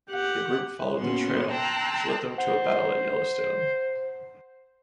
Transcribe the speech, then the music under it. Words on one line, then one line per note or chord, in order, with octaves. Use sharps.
The group followed the trail, which led them to a battle at Yellowstone.
G4 F#5
A#2 B3 C#4 F#4 C6
G5 A5 A#5 C6 E6 F#6
C5 F#5